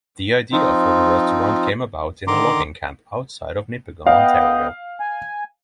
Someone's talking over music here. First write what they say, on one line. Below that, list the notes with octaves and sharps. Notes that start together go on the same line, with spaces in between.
The idea for the restaurant came about in a logging camp outside Nipigon, Ontario.
F3 C4 D#4 F4
D3 D#3 A#5 C6 D6
B3 D#5 F5 G5
G#5